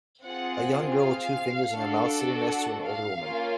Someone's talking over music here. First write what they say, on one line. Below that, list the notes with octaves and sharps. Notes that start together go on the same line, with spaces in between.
A young girl with two fingers in her mouth sitting next to an older woman.
C4 F4 G#4 F#5
F5
D4 F#4 A4
F#5
F5
A#3 C#4 F4